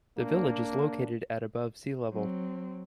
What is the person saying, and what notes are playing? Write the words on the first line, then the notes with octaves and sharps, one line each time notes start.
The village is located at above sea level.
A#3 D4
F#3 C4